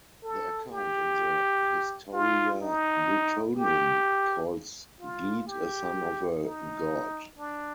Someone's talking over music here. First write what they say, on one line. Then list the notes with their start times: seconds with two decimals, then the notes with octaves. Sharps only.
The account in the "Historia Britonum" calls Geat a son of a god.
0.23 A4
0.71 G4
2.13 F4
2.61 D#4
3.57 G4
5.00 F4
5.47 G4
6.43 D#4
7.38 D4